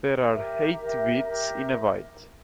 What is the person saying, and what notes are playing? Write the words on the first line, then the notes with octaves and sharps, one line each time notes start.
There are eight bits in a byte.
G4 A#4 E5
G4 A#4 E5
G4 A#4 E5